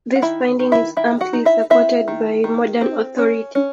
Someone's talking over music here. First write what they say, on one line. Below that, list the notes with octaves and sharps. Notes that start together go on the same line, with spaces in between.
This finding is amply supported by modern authority.
F#5
D#3 E4 E5
D#3
E4 E5
D#3 E4 E5
F#4 F#5
D#4
E4 E5
C4 E4 E5
D#3
D#3
C4
C#4
C#4